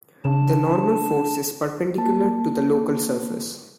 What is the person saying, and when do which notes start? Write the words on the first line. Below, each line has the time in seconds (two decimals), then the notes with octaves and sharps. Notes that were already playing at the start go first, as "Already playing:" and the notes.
The normal force is perpendicular to the local surface.
0.25 C#3 D4 A5
1.98 A#3 A5